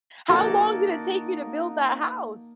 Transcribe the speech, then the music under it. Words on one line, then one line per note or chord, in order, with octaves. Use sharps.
How long did it take you to build that house?
A#3 D#4 F#4 A4 D5